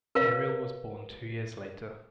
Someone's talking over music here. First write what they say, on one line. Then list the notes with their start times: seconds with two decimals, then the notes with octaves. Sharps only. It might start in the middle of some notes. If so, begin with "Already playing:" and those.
Ariel was born two years later.
0.15 A#4 B4 C#5 F5